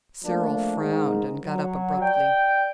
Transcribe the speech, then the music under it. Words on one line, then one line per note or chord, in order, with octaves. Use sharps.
Cyril frowned, and got up abruptly.
F3 A3 A#3 D4
G#2 D#3
F#3
D5 G5